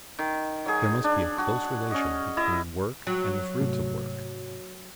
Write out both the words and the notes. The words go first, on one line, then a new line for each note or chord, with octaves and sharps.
There must be a close relation between work and the fruits of work.
D#3
F#3 G#4
D4
F#4
C#4 D#5
E4 D#5
F#3
G#2 C3 A3